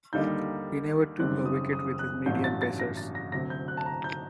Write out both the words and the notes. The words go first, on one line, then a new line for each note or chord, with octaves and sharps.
He never took a wicket with his medium pacers.
D#2 D3 G3 A#3 D#4 G6
F#1 F#2 D#3 G3 C4 F#6
D#6
D#6
F#6
A1 G2 F#3 G6
A6
A6
A#6
A6
A#6
D2 C3 F#3 A#6
G6
F#6
A5
A#5
G6